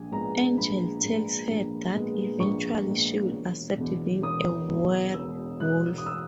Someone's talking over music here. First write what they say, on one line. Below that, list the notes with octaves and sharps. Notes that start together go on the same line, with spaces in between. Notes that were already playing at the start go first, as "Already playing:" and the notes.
Angel tells her that eventually she will accept being a werewolf.
Already playing: A#1 G#5
A#2 G#3 B3 A#5
A#1 B5
A#2 G#3 B3
A#1
A#2 G#3 B3
A#1 C#6
A#2 G#3 B3
E1
E2 B2
E1 D#6
E2 B2
E1 E6
E2 B2 F#6
D#6
E6